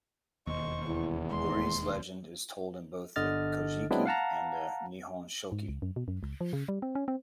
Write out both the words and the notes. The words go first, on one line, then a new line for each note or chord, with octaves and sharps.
Hoori's legend is told in both the "Kojiki" and the "Nihonshoki".
E1 D#2 C5 D#5 C#6
E2 E4
G#3 C6
G1 D3 D#5 F6 A6
F#3 G#3 B3 C4 D4 E4
F5 F#5 A5 A#5
G#2
C#2
F#2
B2
F#2
C#2
F3
C#3
G3
C4
C#4
C4